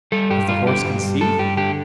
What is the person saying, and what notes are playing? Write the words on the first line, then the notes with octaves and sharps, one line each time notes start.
Has the horse conceived?
G3 A4
G2 G4
G3 F4
D3 G4
G2
G2
G2 A4
G2 G4
D3 G4